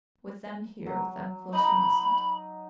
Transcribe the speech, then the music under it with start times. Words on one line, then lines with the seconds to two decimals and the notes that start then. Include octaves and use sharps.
With them here, with them close, you mustn't.
0.86 F#3
1.53 D#4 D#5 B5